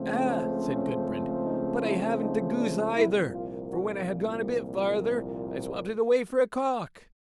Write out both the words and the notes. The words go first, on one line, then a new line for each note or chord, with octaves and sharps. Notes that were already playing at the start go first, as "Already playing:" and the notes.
'Ah!' said Gudbrand, 'but I haven't the goose either; for when I had gone a bit farther I swopped it away for a cock.'
Already playing: C#2 C#3 F3 A3 C4
C#4
C#4
D#4
E4
D#4
D4
C2 A#2 F3 A#3 E4
F4
F#4